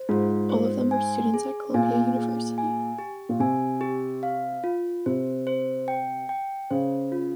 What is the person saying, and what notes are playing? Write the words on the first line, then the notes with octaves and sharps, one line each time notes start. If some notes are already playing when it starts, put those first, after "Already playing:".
All of them were students at Columbia University.
Already playing: C5
G#2 F4
C5
G#5
G#4
A#2 G#5
G#4
G#5
G4
A#2
C3 G#5
G4
F5
F4
C3 C5
C5
G5
G5
C#3 C5
F4